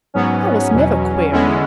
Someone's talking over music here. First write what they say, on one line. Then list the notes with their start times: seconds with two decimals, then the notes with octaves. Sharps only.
I was never queer.
0.14 G#2 F#3 B3 C#4
0.74 E2 B2 F#3
1.32 E2 D3 G#3 B3 C#4 E4